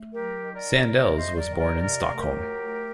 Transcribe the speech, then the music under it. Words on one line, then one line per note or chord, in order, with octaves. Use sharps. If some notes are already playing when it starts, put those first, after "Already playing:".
Sandels was born in Stockholm.
Already playing: A3
F#3 G4 A#4
D#3
A#4 D5
C3
A3 A#4 D5
C5 D#5
F#3
A#4 D5
D#3
A#4 D5
C3 A#4 D5
A3
G4 A#4
F#3
A3